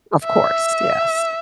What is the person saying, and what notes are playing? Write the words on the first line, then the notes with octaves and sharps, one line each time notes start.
Of course, yes.
E5